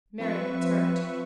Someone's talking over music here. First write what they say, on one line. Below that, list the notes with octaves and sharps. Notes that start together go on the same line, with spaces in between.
Mary looked hurt.
F3 C4 B4 E5 C#6